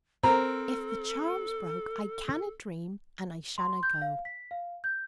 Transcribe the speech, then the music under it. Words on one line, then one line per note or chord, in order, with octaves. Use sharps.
'If the charm's broke, I canna dream, and I shanna go.'
C4 A4 A#4 A#5
C6
G6
F5
B6
F5
G6